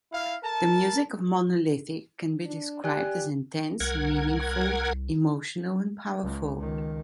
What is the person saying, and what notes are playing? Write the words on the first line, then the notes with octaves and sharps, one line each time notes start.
The music of Monolithic can be described as "intense", "meaningful", "emotional", and "powerful".
E4 F5
A#4 A5
D4
G4 D5 G#5 F#6
C2 A#4 F#5 G#6
C#2
C#2 D#3